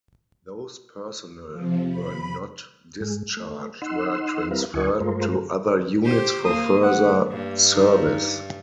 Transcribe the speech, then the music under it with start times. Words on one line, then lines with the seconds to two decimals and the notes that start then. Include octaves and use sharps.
Those personnel who were not discharged were transferred to other units for further service.
1.52 C3 F3
1.88 B5
3.00 G#2 G#3
3.37 A3
3.82 D#4 F#5 C6 E6
4.51 G3 C4 E4 A#4 B4 F5
4.74 D2 E4 D#5 F#5 G#5 C#6
5.00 G2 G#3 A3 F4 A#4 C5
6.04 G4 C5
6.45 A#3 D#6
6.83 A3 F#5
7.30 G2 A#3
7.73 D#4